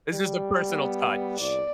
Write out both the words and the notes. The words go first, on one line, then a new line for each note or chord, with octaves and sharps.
It's just a personal touch.
G3
B3
C2 D5